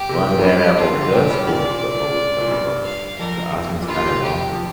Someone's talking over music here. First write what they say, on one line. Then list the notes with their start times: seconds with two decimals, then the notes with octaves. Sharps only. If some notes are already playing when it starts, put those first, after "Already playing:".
One bad apple does spoil the whole darn bunch. The Osmonds got it wrong.
Already playing: G4
0.09 C3
0.26 A#2
0.36 F2
0.44 G2
0.78 F4
0.93 D3
1.03 C3
1.12 A#2 G4
1.30 G2
1.47 A#2 D5
1.65 A#2
2.41 A#2
2.51 G2
2.84 F5
3.19 F2 A#4
3.82 A#2
3.88 G2 F4
4.00 A#2
4.11 C3
4.23 G4
4.52 F3